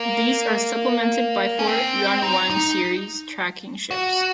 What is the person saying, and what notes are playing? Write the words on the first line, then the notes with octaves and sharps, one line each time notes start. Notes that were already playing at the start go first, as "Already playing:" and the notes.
These are supplemented by four "Yuanwang"-series tracking ships.
Already playing: A#3
C#4
C4
D#4
D#4
F#4